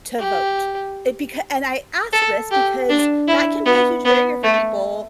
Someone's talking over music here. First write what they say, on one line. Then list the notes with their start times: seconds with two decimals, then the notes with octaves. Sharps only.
to vote? It becau and I ask this because that can be a huge barrier for people,
0.19 G4
2.13 A4
2.51 G4
2.89 D4
3.28 E4
3.66 B3
4.05 B3
4.43 A3